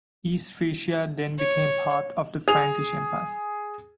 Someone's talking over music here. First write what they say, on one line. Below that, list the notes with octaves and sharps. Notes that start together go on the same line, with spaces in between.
East Frisia then became part of the Frankish Empire.
C#5
G#4 F7